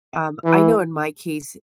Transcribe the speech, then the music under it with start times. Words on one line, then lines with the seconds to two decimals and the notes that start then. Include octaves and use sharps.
Um, I know in my case,
0.45 E3